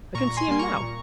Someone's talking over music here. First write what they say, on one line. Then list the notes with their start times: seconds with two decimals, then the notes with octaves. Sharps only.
I can see him now.
0.15 A#2 A#5 C#6
0.27 A#5
0.37 G#5 C6
0.48 G3 A#3 C6
0.59 A#5 C#6
0.81 A#2